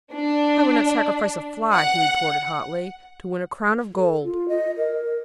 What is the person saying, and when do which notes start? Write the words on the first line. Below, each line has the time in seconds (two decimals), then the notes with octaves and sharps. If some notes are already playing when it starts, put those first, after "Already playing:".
"I would not sacrifice a fly," he retorted hotly, "to win a crown of gold!"
0.14 D4
1.72 F#5
3.95 A4
4.23 F4
4.48 D#5
4.77 A#4